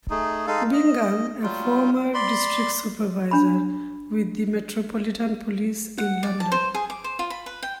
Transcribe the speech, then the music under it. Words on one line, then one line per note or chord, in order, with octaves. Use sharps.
Bingham, a former District Supervisor with the Metropolitan Police in London.
A3 D#4 G#4
G#3 D#4 A4 F5
D#5
F#3 G3 F4
D5 B5 C6
D4 B5
F#5
D5
A5
C5
G#4
D6
C5
F4
B5
B4
G5